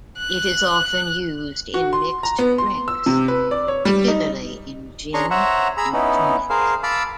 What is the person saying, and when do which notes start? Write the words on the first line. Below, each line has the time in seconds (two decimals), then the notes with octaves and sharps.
It is often used in mixed drinks, particularly in gin and tonic.
0.19 F#6
1.74 F#4
1.93 C6
2.23 A#5
2.39 B3
2.58 C6
2.88 E6
3.06 C3
3.28 B4
3.51 D5
3.68 C#5
3.85 G3
4.08 D#4
5.14 C#4 D4 G#4 A#5 C6 C#6
5.31 C5 C#5 E5 F#5 A#5
5.77 G#4 A#5 B5 E6
5.93 B3 C#4 D#4 E4
6.50 G#4 A#4 C5 F5
6.83 F5 A5 B5 D6 E6